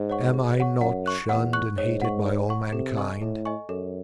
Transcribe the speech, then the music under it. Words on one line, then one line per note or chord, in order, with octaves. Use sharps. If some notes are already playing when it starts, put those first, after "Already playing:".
Am I not shunned and hated by all mankind?
Already playing: G#2
C#5 F#5 C#6
G#4
C#5 F#5 C#6
F#2 F#5
C#6 F#6
E2 F#5
C#6 F#6
G#2 C#5
F#5 C#6
C#5
F#5 C#6
C3 A4
D#5 G#5 C#6
A2 A4
D#5 G#5 C#6
F#2 A4